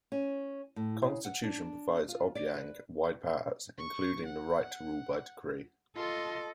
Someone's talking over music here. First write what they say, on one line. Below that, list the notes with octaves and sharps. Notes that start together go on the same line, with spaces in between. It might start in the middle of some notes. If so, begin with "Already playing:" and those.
The constitution provides Obiang wide powers, including the right to rule by decree.
C#4
A2
C#3
F#5
D4
F4
D5
B4
C#6
F#5
F4 A4 D#5 C6